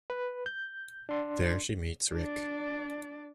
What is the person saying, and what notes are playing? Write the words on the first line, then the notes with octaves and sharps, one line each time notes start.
There she meets Rick.
B4
G6
D4 C6
D4 D5